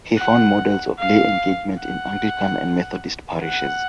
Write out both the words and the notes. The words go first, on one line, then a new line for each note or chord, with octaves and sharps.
He found models of lay engagement in Anglican and Methodist parishes.
F#5
F5
F#5
F#5